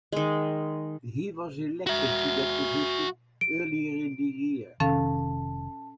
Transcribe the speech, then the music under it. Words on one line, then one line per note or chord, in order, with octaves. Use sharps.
He was elected to that position earlier in the year.
D#3 G#3
F#4 E5
D7
F1 C3 D#3 C#4 A4 F5 A5